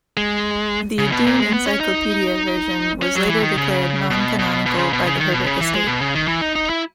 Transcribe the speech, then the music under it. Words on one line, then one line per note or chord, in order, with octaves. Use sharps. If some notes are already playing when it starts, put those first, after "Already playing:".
The "Dune Encyclopedia" version was later declared non-canonical by the Herbert estate.
G#3
C#3
B2
A#2
G#3
B3
C#4
D#4
C#4
F#3
E3
D#3
C#3
B2
B2
B2
C#3
B2
C#3
D#3
B2
C#3
E3
G#3
B2
C#3
D#3
E3
D#4
D#4
E4